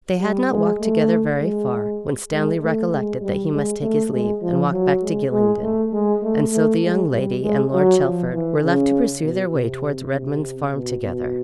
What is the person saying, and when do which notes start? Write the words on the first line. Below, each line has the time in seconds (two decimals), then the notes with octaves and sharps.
They had not walked together very far, when Stanley recollected that he must take his leave, and walk back to Gylingden; and so the young lady and Lord Chelford were left to pursue their way towards Redman's Farm together.
0.20 G3
0.51 G#3
0.81 A3
1.41 G#3
2.32 G#3
2.62 A3
2.92 G#3
3.21 G3
3.52 G#3
3.82 A3
4.13 G#3
4.42 F3
4.72 F#3
5.02 G#3
5.32 G#3
5.63 A3
5.93 G#3
6.23 A3
6.52 A3
6.83 G#3
7.12 G3
7.42 G#3
7.73 F#3
8.03 F3
8.34 E3
8.63 C#3
9.24 B2
9.54 C3
10.13 C3
10.74 B2
11.05 B2